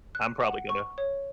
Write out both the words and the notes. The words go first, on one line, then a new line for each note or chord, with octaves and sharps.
I'm probably gonna.
F#6
F#5
C#6
C#5